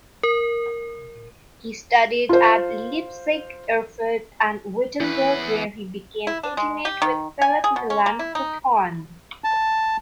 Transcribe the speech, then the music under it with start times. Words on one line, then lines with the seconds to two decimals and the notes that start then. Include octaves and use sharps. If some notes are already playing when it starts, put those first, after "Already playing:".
He studied at Leipzig, Erfurt and Wittenberg, where he became intimate with Philipp Melanchthon.
0.23 A#4
2.29 F4 C5
5.00 E2 E3 B4
6.27 E4
6.43 D4
6.57 G#3
6.85 G4
7.02 D#3
7.42 G#5
7.64 G#4
7.76 B2
7.90 C#4
8.06 A#3
8.19 E4
8.35 D#4
9.44 A5